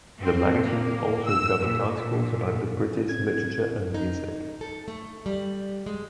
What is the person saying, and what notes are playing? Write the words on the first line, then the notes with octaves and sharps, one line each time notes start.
The magazine also covered articles about the British literature and music.
C4
A#3
E6
A#2
C4 G#6
D#4
A4
A3
G3
G#3